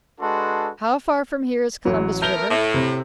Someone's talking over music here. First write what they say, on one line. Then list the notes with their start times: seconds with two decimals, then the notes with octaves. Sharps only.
How far from here is Columbus River?
0.20 G#3 D4 F#4 A4 B4 C6
1.85 A1 F#3
2.22 A3 B3 A#4 G6 F7 G7
2.50 A2
2.74 C3